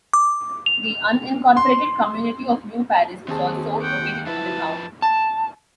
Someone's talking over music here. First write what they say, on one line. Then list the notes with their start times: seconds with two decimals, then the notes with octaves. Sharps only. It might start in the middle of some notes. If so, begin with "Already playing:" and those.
The unincorporated community of New Paris is also located in the town.
0.13 D6
0.66 F7
1.57 C6
3.28 D#2 C4 G#4 A5
3.81 F#5 G5
4.27 F3 E4 B4 A5
5.02 A5